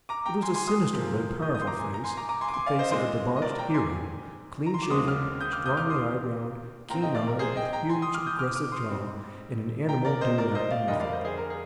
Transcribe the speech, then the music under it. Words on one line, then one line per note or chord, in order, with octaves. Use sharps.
It was a sinister but powerful face, the face of a debauched hero, clean-shaven, strongly eye-browed, keen-eyed, with huge, aggressive jaw, and an animal dewlap beneath it.
A#5 D6
G5 A#5
G#5 C6
G#5 C6
C6 D#6
C3 F3 A#3
D#6 G6
D#6 G6
C6
A#5 D6
G#5 C6
A#5
G#5 C6
A#5 D6
A#5 D6
G#5 C6
D6
G#5 C6
D5 F5
C5 D#5
A#2 G#3 C4 C5 D#5
D#5
A#4 D5
G5 A#5
D6
G#5 C6
A#5
C6
D6
D#2 D3 G#3 C4 C6 D#6
D6 F6
D#6 G6
D6 F6
D#6 G6
D6 F6
C6 D#6
A#2 F3 C4 G5 A#5
D#5 G5
D5 F5
A#4
G#4 C5
D#5 G5
G5 A#5
G#5 C6
C6 D#6
D6 F6
D#6 G6
D6 F6
D6 F6
C6 D#6
G#2 G3 C4
G5 A#5
A#4 D5
C5 D#5
A#4 D5
C5 D#5
D5 F5
F2 D3 G3 A#3 D4 D#5 G5
D5 F5
C5 D#5
G#4 C5
A#4
G#4